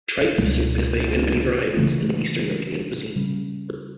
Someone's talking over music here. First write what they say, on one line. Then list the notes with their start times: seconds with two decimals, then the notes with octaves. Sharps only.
Tripe soup is made in many varieties in the Eastern European cuisine.
0.38 C#2 B2 G3 D4
1.77 C#3 E3 A3
3.16 C#3 G3 C#4